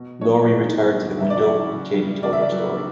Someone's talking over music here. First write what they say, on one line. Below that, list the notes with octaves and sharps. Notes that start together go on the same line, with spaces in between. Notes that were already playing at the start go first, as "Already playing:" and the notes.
Laurie retired to the window, and Katie told her story.
Already playing: B2
F#3 C#5
B2
G3
C#3
E5
D5
F#3 E5
C#3
G3
C#3 D5
E5
D5
F#3